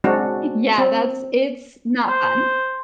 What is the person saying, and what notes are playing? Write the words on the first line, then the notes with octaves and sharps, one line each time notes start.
I yeah. That's it's not fun.
F#3 G#3 C4 D4 F#4
C4
C5